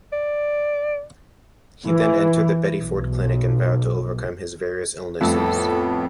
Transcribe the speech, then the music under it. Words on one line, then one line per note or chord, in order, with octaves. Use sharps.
He then entered the Betty Ford Clinic and vowed to overcome his various illnesses.
D5
E3
B1
F2 A2 G3 A3 B3 A4